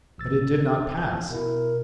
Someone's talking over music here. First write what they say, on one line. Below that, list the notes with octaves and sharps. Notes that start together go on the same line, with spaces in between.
But it did not pass.
A1 E6 A6
B2 E4 A#4